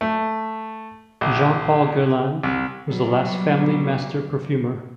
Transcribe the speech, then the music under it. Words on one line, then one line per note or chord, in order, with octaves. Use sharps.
Jean-Paul Guerlain was the last family master perfumer.
A3
A#1
C2
B2 F#3 G3